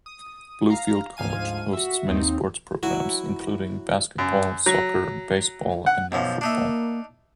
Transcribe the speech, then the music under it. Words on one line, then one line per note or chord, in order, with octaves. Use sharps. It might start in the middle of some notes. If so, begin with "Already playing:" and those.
Bluefield College hosts many sports programs, including basketball, soccer, baseball, and now football.
D#6
F5 A#5
D2 G#2 F3 F5 G#5 D#7
F#4 E5
D#2 C4 D#4
F#3 E4 F#4
F#2
F#3
F#5
B1 F#2 F3
A#3 D4 D#4 E5